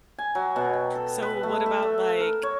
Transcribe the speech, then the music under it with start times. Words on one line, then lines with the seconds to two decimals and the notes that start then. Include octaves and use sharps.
So what about, like,
0.18 G#5
0.35 F#3
0.56 B2
0.73 G5
0.95 A4
1.22 B4
1.43 A3
1.66 E5
1.82 A3
2.20 A#4
2.43 C#5